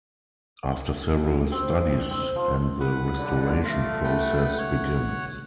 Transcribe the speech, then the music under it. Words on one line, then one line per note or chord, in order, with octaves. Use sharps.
After several studies and the restoration process begins.
C4
C4
F3
B4 F#5
A1 D3
A3 F4 D6
B4 F#5 G5
C#5 F#5